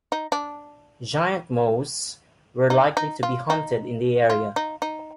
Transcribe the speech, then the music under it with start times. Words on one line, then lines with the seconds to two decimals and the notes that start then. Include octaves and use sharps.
Giant moas were likely to be hunted in the area.
0.12 D#4
0.32 D4
2.70 D#4
2.97 D#4
3.23 F4
3.50 D#4
4.30 F4
4.56 D#4
4.82 D#4